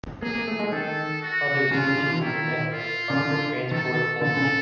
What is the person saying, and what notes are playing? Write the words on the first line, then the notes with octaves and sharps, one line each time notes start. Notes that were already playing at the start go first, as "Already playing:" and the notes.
Other switches in the network are for transport only.
A#3 G#4
A#3
A3
G#3
D#3 A4
F#4
C#3 F4
C#3
D3
E3
D#3 E4
F4
C#3
D3
D#3 A4
D3 A4
C#3